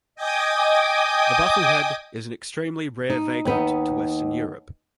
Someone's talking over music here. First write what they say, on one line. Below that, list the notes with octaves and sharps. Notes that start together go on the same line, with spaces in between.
The bufflehead is an extremely rare vagrant to western Europe.
D#5 G5 G#5 D6 D#6
D#4
D#2 B3 D#4